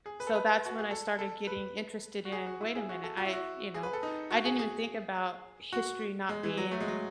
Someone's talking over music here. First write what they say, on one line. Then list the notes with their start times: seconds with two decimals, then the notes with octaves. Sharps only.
so that's when I started getting interested in wait a minute, I you know, I didn't even think about history not being
0.06 G#4
0.20 B4
0.27 A4
0.35 B4
0.66 F#4
0.78 G#4
0.91 A4
1.19 A4
1.47 B4
2.25 F#4
2.32 G#4
2.47 F#4
2.61 E4
2.75 G#4
2.89 F#4
3.04 A4
3.17 F#4
3.25 E4
3.33 F#4
3.74 G#4
3.83 B4
3.93 A4
4.03 D#4
4.31 F#4
4.45 G#4
4.59 G#4
5.73 F#4
6.29 G#3
6.43 E3
6.57 F#3
6.71 A3
6.80 G#3
6.88 F#3